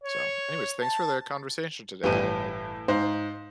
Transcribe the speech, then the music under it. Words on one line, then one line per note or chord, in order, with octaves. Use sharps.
So, anyways, thanks for the conversation today. I I
C#5
A5
G1 A2 E3 G4 D#7
G#2 C5 F5